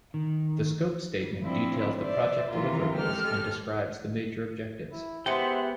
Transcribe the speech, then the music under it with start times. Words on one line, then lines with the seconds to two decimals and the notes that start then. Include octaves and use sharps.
The scope statement details the project deliverables and describes the major objectives.
0.14 D#3
1.42 F3 G3 C4 D4 E4
2.01 C5 D5 E5
2.50 C3 D#3 E3 F4 A#4
2.95 G#3 G4 A4 F6
4.92 E4
5.26 G#3 B3 G4 C5 E5 F#5 G5